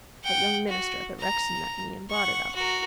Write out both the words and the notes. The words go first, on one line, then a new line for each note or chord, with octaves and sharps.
That young minister up at Rexton met me and brought it up.
F#5 G5
F#4
A#5
F#5 C#6
F#4 A#4